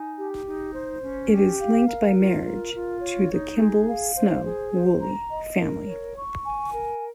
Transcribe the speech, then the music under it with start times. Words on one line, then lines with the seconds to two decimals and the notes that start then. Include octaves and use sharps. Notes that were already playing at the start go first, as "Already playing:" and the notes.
It is linked by marriage to the Kimball-Snow-Woolley family.
Already playing: D#4 G#5
0.17 G4
0.45 D#4
0.74 C5
1.02 C#4
1.31 G4
1.59 F5
1.88 A#4
2.16 F4
2.45 A#4
2.73 F4
3.02 C#5
3.31 D#4
3.59 G#4
3.87 F5
4.16 C5
4.45 G#4
4.73 C5
5.02 A#5
5.30 D#5
5.58 A#4
5.87 C#5
6.16 C#6
6.44 G#5
6.73 A#4